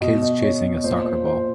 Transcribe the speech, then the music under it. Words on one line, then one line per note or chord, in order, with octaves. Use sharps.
Kids chasing a soccer ball.
B2 D#5
D#5
C#5
A#2 C5
C5
C5